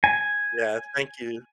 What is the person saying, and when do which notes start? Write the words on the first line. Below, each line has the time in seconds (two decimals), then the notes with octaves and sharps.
Yeah, thank you.
0.04 G#5